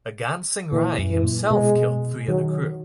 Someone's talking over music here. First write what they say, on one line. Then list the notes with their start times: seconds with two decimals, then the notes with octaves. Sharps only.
Agansing Rai himself killed three of the crew.
0.72 A#2 E3
0.99 F#2
1.11 E3
1.24 A#2
1.51 B2 G#3
2.28 D#3 F#3